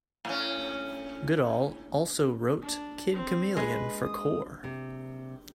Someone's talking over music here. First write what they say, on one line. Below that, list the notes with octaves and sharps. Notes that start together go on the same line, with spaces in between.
Goodall also wrote Kid Chameleon for Cor!!
A2 C#4
D4
C4
G#3 B4
D#6
C3